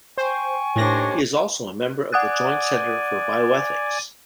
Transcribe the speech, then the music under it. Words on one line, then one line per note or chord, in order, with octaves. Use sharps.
He is also a member of the Joint Centre for Bioethics.
C5 G5 G#5 C#6
D#2 A2 D4 C5 C#5 A#6
D5 F#5 G#5 D#6 F#6